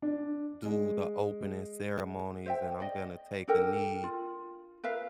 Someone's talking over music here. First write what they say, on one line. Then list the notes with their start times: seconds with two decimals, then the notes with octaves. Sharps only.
do the opening ceremonies, and I'm gonna take a knee
0.02 D4
0.65 G#3
2.46 C5 E5 G5
2.80 D5 D#5
3.48 D4 A4 A#4 G5
4.03 F4
4.84 A#4 B4 E5 F5